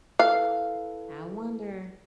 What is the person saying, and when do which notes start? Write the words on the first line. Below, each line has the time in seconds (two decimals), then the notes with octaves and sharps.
I wonder.
0.19 E4 A4 B4 F5